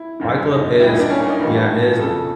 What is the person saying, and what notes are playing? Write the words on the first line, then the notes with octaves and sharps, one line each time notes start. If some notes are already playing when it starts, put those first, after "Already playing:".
Fight Club is Yeah, it is
Already playing: E4
F#1 F#2 D3
D#4
D2 D3 G3 E4
D#4
D4
C#4
A#3
D#4
G1 G2 E3 G3
F2 C#3 F3 A4